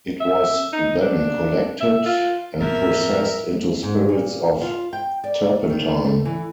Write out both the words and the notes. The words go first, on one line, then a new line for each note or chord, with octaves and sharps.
It was then collected and processed into spirits of turpentine.
E5
D#4
D4
E5
F4
F2 A2 A#4 E5
G#2
A#2
F4
G5
D5
D#3
A3
E3